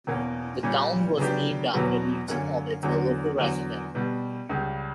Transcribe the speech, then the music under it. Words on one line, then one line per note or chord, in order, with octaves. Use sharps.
The town was named after Newton Ovid, a local resident.
E2 B2 A#3 C#4
A#2 G3 C#4
C#3 F#3 B3 D4 G4
E2 B2 F#3 B3
F#2 D3 A#3 C#4
E2 D3 F#3 C#4
E2 D3 F#3
B2 G3 B3
C#2 C#3 G3